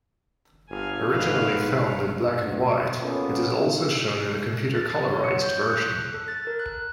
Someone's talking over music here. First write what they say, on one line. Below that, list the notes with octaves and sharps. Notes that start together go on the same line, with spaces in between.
Originally filmed in black-and-white, it is also shown in a computer-colorized version.
G1 F5 G#5
G#2 B4 F5
D2
A#3 B3 C#4 F4 G#4 A4
A6
F#5
C#5
C#7
G6
G6
F#6
F#6
A4
A6
A#4
F#6